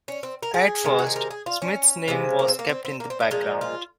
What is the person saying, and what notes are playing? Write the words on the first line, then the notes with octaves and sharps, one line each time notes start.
At first, Smythe's name was kept in the background.
C#4
C4
A#4
G#4
C3 D#3 G#3
F#4
G#4
A#4
G#4
F4
C#4
C3 F3 G#3
A#3
C4
A#3
C4
C4
A#3
C4
C#4
A#2 F3 G#3 D#4
F4